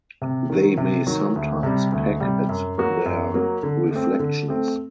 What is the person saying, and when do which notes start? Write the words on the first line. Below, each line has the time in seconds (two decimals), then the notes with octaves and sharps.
They may sometimes peck at their reflections.
0.22 C3
0.50 D#3 F#3
0.77 C3
1.07 D#3 F#3
1.36 D2
1.63 C3 G3
1.92 D2
2.20 C3 G3
2.49 F#2
2.78 F#3 A#3 F#4
3.06 F#2
3.34 F#3 A#3 F#4
3.63 D3
3.91 A3 C4
4.19 D3
4.48 A3 C4